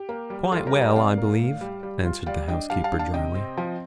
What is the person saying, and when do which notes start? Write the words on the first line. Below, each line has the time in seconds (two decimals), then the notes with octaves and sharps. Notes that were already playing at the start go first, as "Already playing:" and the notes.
'Quite well, I believe,' answered the housekeeper, drily.
Already playing: G4
0.09 A#3
0.30 G3
0.44 G4
0.52 G3 F4 A4
0.67 G4 A#4
0.74 G3
0.81 A#4 D5
0.91 G5
0.96 C3 D5 F5
1.17 A#3
1.40 A2
1.61 G3
1.83 G3
2.05 F4
2.26 G3 D5 F5
2.48 D4 D#5 G5
2.70 G3 F5 A5
2.84 F5 A5
2.92 D4
2.99 F5 A5
3.14 C3 D#5 G5
3.35 C4
3.57 F3